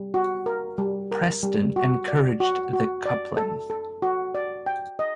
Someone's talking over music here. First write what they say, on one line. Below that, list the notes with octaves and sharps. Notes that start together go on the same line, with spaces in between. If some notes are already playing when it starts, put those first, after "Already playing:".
Preston encouraged the coupling.
Already playing: G3
F#4
A#4
G3
A#4
G3
F#4
D5
F#4
F#4
D5
A4
A4
F#4
D5
G5
D#5